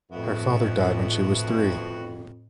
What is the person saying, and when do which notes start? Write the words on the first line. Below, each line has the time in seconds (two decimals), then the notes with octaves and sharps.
Her father died when she was three.
0.12 F2 A2 B3 E4 F#4